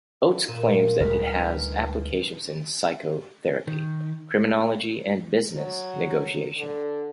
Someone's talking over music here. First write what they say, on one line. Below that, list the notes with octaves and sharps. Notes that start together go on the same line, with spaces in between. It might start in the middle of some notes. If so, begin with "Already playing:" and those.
Oates claims that it has applications in psychotherapy, criminology and business negotiation.
A#2 D#7 E7
D2 G3 G#3 D#4 B4 F6
F6 B6
D#3
F#3
D3